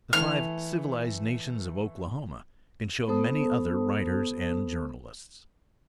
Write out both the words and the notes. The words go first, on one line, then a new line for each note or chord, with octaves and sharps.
The Five Civilized Nations of Oklahoma can show many other writers and journalists.
E3 A3 F6
B3 A4 C5 A5 D#6